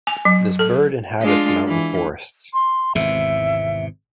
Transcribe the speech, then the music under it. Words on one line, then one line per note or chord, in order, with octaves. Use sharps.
This bird inhabits mountain forests.
G#5
F#3
A4
G#3 D4 F4
E3
C6
G#1 E2 C3 E5